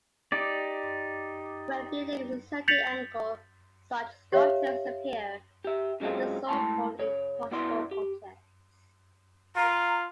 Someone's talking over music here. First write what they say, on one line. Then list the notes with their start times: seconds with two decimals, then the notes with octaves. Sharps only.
When viewed at a certain angle, such sculptures appear as the so-called impossible objects.
0.32 D#4 G4 D5
2.68 G6 A6 B6 C#7 F7 F#7
4.32 G4 C#5 E5 F5
5.64 G4 E5
6.00 C#3 F#3 G#3 C4 F4
6.47 A2 G#3 A5 C6
6.99 C#3 C#5
7.51 C2 B2 B3 E4 D5 C6
7.91 G4
9.56 F4 A#5